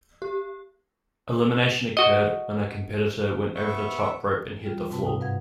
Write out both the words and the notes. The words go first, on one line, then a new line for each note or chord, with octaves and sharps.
Elimination occurred when a competitor went over the top rope and hit the floor.
G4
F#4 D#5
B3 E5 C#6
G3 F4
G#2 C3 C4 F#4 B4 A5
D#4 F#4
G2 B4 F5 F#5 G#6